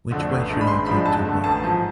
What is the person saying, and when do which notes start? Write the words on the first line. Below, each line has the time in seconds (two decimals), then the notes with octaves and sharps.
Which way should I take to work?
0.11 F2 D3 A3 D4
0.30 A1
0.49 A2 G#3 D4
0.61 B5
0.67 A1 C6
0.86 G#2 F3 G#3 D4 B5
1.05 F2 A5
1.24 D3 A3
1.44 A1 A5
1.62 G#2 F3